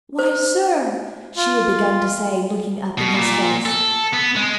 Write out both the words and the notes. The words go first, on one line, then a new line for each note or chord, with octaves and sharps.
"Why, sir," she had begun to say, looking up in his face.
C5
F4
B2
A#2
A4
B3
G#3